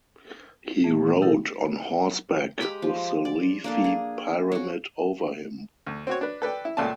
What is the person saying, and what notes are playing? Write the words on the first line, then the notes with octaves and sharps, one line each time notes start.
He rode on horseback with the leafy pyramid over him.
A#2 E3 A3
B2 E4 G4 A4 A#4
G#3 G4 A#5 B5
F3
D5
A#3 D4 A4
G#4
C#4 F#4
D2
C4 F#4 C#5
D4 B4
A4 B4 D5 G5
E4
C#2 A#2 A3 D5 G#5 A5